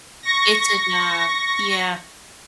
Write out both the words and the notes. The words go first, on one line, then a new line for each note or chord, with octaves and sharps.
It's a job. Yeah.
C#6 A#6